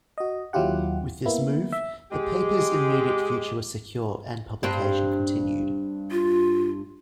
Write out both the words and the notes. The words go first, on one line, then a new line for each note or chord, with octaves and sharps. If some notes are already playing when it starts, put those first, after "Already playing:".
With this move, the paper's immediate future was secure and publication continued.
F#4 D#5
D#2 F#3 E4 F4 G4 F#5
A#3 B3 E4
E5
G#3 G4
G2 C4
F4